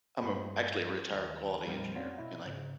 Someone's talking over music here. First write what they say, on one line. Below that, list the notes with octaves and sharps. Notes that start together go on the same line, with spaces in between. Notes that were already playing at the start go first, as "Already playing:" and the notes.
I'm, um, actually a retired quality engineer, and I
G2 G4 B4 B5
D#2
F2 A#2 G3 A#3 C4 D#4
A#3 C4 C#4 F#4 D5 F5
B2 E4 D#5 E5
C2 G#2 C#3